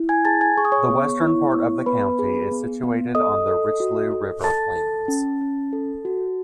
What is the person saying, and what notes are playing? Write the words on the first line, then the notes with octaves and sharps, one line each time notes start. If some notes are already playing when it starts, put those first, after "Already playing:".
The western part of the county is situated on the Richelieu River plains.
Already playing: E4
G#5 G#6
G#4 A5 A6
G#5 G#6
G#4 C#6
D#6
C#5 C#6
B3
E4
B3
B3 B4 B5
G#4
B3
B3
A4 D#5 D#6
A4
F#4
A4
A4 A5 A6
A4
C#4
C#4
A4
F#4